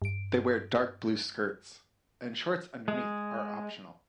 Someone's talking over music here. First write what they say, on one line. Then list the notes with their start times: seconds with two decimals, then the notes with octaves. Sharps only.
They wear dark blue skirts, and shorts underneath are optional.
0.02 G2 D7
2.88 G#3